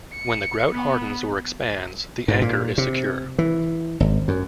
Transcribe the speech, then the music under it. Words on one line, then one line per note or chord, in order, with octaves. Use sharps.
When the grout hardens or expands, the anchor is secure.
C#7
B3
G#2
A#2
C3
E3
G#1
F#2